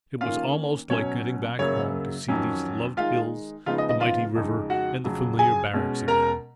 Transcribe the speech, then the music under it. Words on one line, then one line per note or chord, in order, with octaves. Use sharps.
It was almost like getting back home, to see these loved hills, the mighty river, and the familiar barracks again.
D#3 A#3 C#4 F4 F5
B2 F#3 C#4 C#5
F#2 C#3 F#3 A#3 C#5
F2 D#3 F#3 C#4
D#3 G#3 D#4 F4 F5
C#3 F3 G#3 B3 D#4 F4 F5
D#5
D#5
F4 F5
F2 C#3 G#3 D#4
F#4 F#5
F2 C#3 F#3
G#4 G#5
B2 G#3 C#4
A#4 A#5